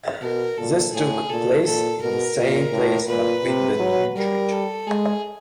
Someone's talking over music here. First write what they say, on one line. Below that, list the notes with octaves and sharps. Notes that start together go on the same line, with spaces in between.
This took place in the same place but with a new judge.
B2 A#4
A#2 A4
A2 G#4
A#2 A4
A#2 A4
B2 A#4
A#2
A2
A#2 B4
C3
F#3
G3 A#4
A4
G#3 G#4